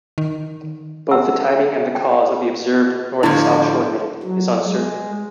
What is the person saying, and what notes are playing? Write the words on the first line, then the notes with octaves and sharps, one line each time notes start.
Both the timing and the cause of the observed north–south shortening is uncertain.
D#3
F#5 E6
G5
A2 D3 F3 E4
F#3
G#3